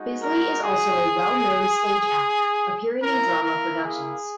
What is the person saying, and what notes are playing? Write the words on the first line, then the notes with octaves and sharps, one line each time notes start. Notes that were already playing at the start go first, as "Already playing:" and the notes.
Bisley is also a well-known stage actor, appearing in Drama productions.
Already playing: G#3 D#4 F#4
A#4
G#4
A#3 E4 A#4
A#4
G#4